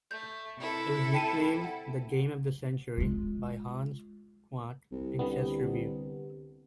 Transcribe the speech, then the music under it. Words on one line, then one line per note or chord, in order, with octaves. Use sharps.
It was nicknamed "The Game of the Century" by Hans Kmoch in "Chess Review".
A3 G6
C3 E4 A4
G5 A5 D#7
F#5
G#3 F4
C2
D3 G3 B3